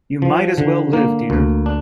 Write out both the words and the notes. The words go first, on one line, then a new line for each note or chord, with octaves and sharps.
You might as well live dear.
F3
D3
A#3
D2
D4